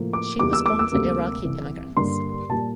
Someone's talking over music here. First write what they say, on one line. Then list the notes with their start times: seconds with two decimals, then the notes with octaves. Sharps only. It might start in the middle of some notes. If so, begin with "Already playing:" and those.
She was born to Iraqi immigrants.
Already playing: A2 F3 A#3
0.13 D6
0.39 E2 E3 G3 A#3 D6
0.53 E6
0.66 D6
0.79 E6
0.92 D2 C3 G3 A#3
1.45 C2 C3 E3
1.97 G2 D3 G3 A#3 C6
2.49 A#2 G3 A#3 A5